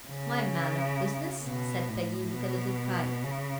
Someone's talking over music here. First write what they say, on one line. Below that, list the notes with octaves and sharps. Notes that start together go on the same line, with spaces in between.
"My man of business," said Peggy, with a little pride.
C#3
B2
A2
B2
C#3